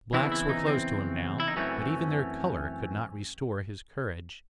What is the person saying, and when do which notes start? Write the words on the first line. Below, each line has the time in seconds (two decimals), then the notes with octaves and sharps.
The blacks were close to him now, but even their colour could not restore his courage.
0.13 E2 C#3 E3 C4 E4
0.32 E4
0.49 D#4
0.67 C4
1.40 E4
1.48 D#4
1.56 F#2 E3 A3 C4 C#4